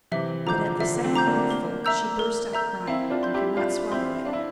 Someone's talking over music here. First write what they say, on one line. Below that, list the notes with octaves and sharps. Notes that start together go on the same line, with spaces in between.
But at the second mouthful she burst out crying, and could not swallow it.
C3 E3 E5
D3 F3 A#5 D6 G6
D3 F3 E5
A3 C4
A#5 D6 G6
A#3 D4
A#4
E5 A#5 E6 G6
A#4
E5 A#5 E6 G6
C4 E4 F5
D4 F4
C6 G6
E4 G4
D4 F4 F5
C4 E4 C6 G6
D4 F5
E4